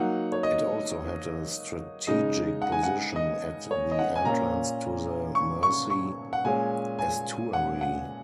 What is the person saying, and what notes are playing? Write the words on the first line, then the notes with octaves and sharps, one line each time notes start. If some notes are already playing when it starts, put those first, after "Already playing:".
It also had a strategic position at the entrance to the Mersey Estuary.
Already playing: F#3 A#3 D#4 F#5
C#5
D#5
C#3 G#3 D#4 D#5
F#5
G#5
F#5
D#5
C#5
D#5
F#5
G#5
A#2 A#3 C#4 A#5
C#6
C#6
C#6
F#5
A#2 G#3 C#4 G#5
G#5
F#5
F#5